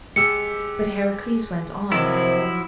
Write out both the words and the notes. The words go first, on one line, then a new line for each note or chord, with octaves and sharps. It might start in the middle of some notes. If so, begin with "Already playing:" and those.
But Heracles went on.
G#3 G4 E6 C#7
C3 D#3 F3 F#3 E4